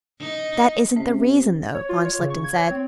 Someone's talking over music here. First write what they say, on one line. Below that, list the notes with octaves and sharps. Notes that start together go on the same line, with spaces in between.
"That isn't the reason, though," von Schlichten said.
D#4
C3 C#4 E5
C#5
F4
C#5
C#3
C#6
G#6
C#5
C4